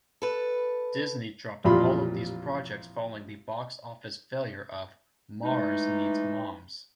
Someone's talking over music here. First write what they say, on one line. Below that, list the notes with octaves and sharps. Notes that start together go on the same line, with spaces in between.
Disney dropped all of these projects following the box-office failure of "Mars Needs Moms".
A4 B4
A1 F2 A#2 G3 F4 B5
E3 G#3 A3 D#4